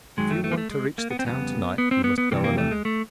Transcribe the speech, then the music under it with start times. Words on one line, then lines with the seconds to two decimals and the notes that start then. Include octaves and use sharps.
'If you want to reach the town to-night you must go alone.
0.17 F#2 D#3 F#3 G#3
0.31 A3
0.44 A3
0.52 A#3
0.58 A3
0.71 G#3
0.98 A#3
1.11 B3
1.19 C4
1.24 F2 C#3 G3 B3
1.78 B3
1.91 C4
2.04 B3
2.18 B3
2.31 F2 C3 E3 G3 A#3
2.44 A#3
2.58 A3
2.71 G#3
2.85 A3